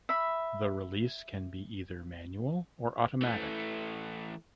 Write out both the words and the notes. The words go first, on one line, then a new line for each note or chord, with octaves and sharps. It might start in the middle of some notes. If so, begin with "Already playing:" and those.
The release can be either manual or automatic.
E5 B5
E3 A3